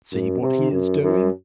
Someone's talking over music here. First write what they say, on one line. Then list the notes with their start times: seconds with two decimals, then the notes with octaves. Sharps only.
See what he is doing.
0.13 F#2
0.42 C3
0.72 F#2
1.02 F#2